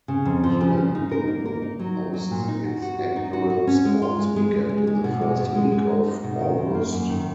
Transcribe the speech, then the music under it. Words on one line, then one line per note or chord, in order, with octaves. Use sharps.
Yuendumu hosts its annual sports weekend in the first week of August.
C#3
F2
F3
C#3
C#3
D#4
A#4
A#3
A#4
D#4
F#3
D#4
F#3
A#2
D#4
F#4
F#4
F#4
D#4
F#4
F#4
C#4
G#3
F4
G#3
G#3
G#3
G#3
G#3
B2
G#3
B2
G#3
G#3
G#3
D#4
B2
D#3
F#2
A#3
F#2
D#3